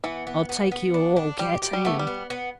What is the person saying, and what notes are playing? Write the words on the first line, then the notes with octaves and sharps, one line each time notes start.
"I'll take you all, get in!"
E3 B3
B3
B3
B3
D4
D4
G3 G4
G4
G3
A3 B3
G3
B3
B3